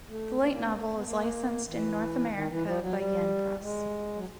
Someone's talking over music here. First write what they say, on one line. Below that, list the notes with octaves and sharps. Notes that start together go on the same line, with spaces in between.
The light novel is licensed in North America by Yen Press.
A3
A#3
A#3
B3
A#3
B3
A#3
E3
D#3
E3
F3
F#3
G3
G#3
F#3